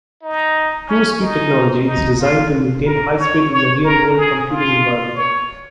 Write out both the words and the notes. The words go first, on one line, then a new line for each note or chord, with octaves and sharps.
True Speed Technology is designed to maintain high speed in the real-world computing environment.
D#4
C#4
D#4
D#4
F4
A#4
C#5
C#5
A#4
G#4
F4
C#5